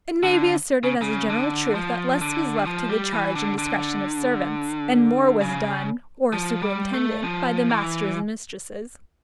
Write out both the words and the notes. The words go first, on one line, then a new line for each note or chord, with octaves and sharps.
It may be asserted as a general truth, that less was left to the charge and discretion of servants, and more was done, or superintended, by the masters and mistresses.
D3
C#3
C#3
D3
F3
D3
F3
G3
E3
D3
D3
C#3
F3
G3
A3
F3
E3